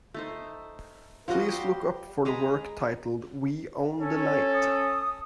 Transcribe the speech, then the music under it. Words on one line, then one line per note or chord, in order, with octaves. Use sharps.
Please look up for the work titled We Own The Night.
A3 D#4 C5
F3 G3 F#4 D#5
G4 C6
G#3 G#4 A#5 B5
C#4 A4 C#5
D#6